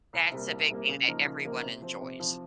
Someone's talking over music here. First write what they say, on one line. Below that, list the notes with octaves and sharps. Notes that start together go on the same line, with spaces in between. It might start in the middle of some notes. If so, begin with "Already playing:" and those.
That's a big thing that everyone enjoys.
C2
C3 G3 A#3
C2
C3 G3 A#3
C#3
F3 A#3 D#4 A#4
C#3
F3 A#3 D#4 A#4
C3
F3 C4
C3
F3 C4